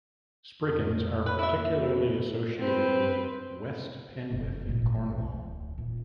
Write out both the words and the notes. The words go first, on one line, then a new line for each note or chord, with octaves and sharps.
Spriggans are particularly associated with West Penwith in Cornwall.
F2
E4 B4 B5 F#6
A#3 E4 E5
F#4
C4 B4
F#1
G#1 A#2
B1
D1
D#1 A#2